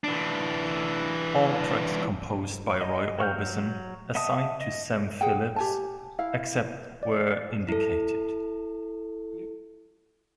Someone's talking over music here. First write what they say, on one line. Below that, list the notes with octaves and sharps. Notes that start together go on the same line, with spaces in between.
All tracks composed by Roy Orbison, assigned to Sam Phillips, except where indicated.
E3 D4
D#5
F#3 C#6 F6 G6
D#5 E5 F#5 A5 D#6
D#5
G#4 F#5 G5
G4 G#5 A5
E4 F5
D5
E4 A4